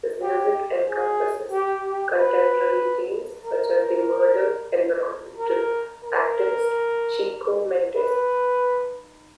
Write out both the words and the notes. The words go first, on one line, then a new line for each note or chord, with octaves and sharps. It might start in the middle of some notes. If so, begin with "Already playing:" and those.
His music encompasses contemporary themes such as the murdered environmental activist, Chico Mendes.
G4
G#4
G4
G4
B4
A#4
A#4
A#4
B4